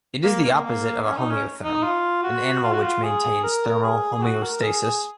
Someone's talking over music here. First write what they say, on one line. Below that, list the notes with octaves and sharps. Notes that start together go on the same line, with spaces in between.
It is the opposite of a homeotherm, an animal which maintains thermal homeostasis.
A#3
A#3
A#3
C#4
D#4
C#4
D#4
F4
F#4
F4
F#4
F4
G#4
A#4
G#4
G#4
F#4
A#4
G#4
G#4